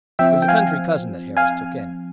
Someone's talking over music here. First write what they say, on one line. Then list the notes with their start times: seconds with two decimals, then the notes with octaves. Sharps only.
It was a country cousin that Harris took in.
0.19 F3 C4 E5 G5
0.42 G5
0.48 F5 G#5
1.37 F5 G#5